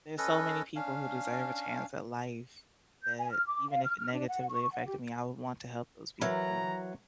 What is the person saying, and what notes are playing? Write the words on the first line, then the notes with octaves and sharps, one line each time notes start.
there's so many people who deserve a chance at life that even if it negatively affected me, I would want to help those people.
C#4 A4 B4 D#5
C#4 D4 F5
G6
G#5
F6
D6
F5
F6
F6
D4
F#5
C#6
F#5
G4
E3 F#3 E4 A#4 A#5